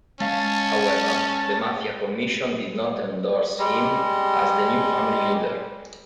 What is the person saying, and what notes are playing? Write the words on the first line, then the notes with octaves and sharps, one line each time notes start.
However, the Mafia Commission did not endorse him as the new family leader.
G#3 C#4 F5 A5
G3 G#3